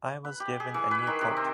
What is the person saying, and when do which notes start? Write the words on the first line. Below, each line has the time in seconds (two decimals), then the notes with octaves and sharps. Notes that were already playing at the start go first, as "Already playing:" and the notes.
I was given a new coat.
0.25 B4
0.40 G4
0.60 G#4
0.74 E3
0.91 B4
1.07 D#3
1.21 C3
1.37 C4